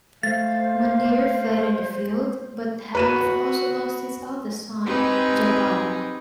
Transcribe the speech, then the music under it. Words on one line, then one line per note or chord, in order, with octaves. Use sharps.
Mundhir fell in the field, but Harith also lost his eldest son Jabalah.
A3 C5 F5 A6
F#4 B4 D#7 E7
C4 D#4 G4 G#4 B4